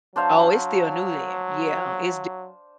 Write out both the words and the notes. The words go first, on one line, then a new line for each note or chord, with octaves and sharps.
Oh, it's still new then, yeah, it's d
F#3 D4 C5 F5